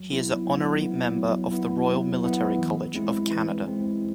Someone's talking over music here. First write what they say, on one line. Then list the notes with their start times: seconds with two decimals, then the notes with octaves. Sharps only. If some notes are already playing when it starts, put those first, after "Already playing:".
He is an honorary member of the Royal Military College of Canada.
Already playing: F#3
0.10 B3 E4
0.45 F#3
0.81 B3 E4
1.17 F#3
1.52 B3 E4
1.88 F#3
2.24 B3 E4
2.59 E3
2.94 G#3 C4 E4
3.30 E3
3.66 G#3 C4 E4